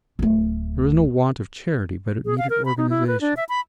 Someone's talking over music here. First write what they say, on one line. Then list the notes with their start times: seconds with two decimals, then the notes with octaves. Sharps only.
There was no want of charity, but it needed organization.
0.19 D1 A3
2.25 G#4
2.38 F5
2.50 A#4
2.65 B5
2.78 D#4
2.90 E4
3.07 B4
3.21 D4
3.37 E5
3.49 B5